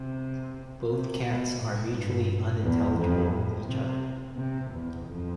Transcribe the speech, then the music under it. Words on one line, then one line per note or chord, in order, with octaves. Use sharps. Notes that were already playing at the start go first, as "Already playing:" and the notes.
Both cants are mutually unintelligible with each other.
Already playing: C3
C3
B2
A2
G2
E2
F2
A2
C3
C3
E2
F2